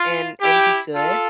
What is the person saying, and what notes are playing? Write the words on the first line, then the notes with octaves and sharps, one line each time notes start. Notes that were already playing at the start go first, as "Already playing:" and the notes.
and and be good.
Already playing: F4
E4 G4
F4 A4